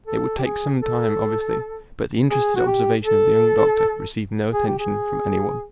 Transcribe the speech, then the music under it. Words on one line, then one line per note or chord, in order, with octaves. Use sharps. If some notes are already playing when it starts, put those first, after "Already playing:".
It would take some time, obviously, but the interested observation of the young doctor received no attention from any one.
A4
G4
G#4
A4
G#4
F#4
G4
A4
G#4
G4
G#4